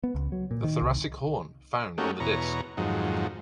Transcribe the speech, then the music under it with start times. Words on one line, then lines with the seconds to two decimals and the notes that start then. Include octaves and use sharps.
A thoracic horn found on the disc.
0.04 B3
0.15 C#2
0.32 F#3
0.51 A#2
0.64 D#3
0.82 C2
1.98 A3 A#3 C#4 D#4 F#4 G4
2.20 E2 B2 C#5 A#5
2.77 F2 G#2 D#3 F#3